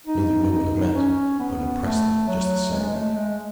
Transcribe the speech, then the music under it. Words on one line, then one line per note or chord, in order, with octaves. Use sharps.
Neither knew what it meant, but impressed them just the same.
D#4
D#4
C#4
B3
A3
F#3
G#3
A3
G#3